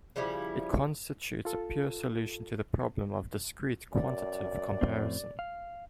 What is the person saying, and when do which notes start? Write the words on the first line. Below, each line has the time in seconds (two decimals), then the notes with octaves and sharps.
It constitutes a pure solution to the problem of discrete quantitative comparison.
0.16 C#3 F3 G3 E4
1.45 F4 A4
3.93 F#2 D5
4.81 F2 A2 C4
5.39 F5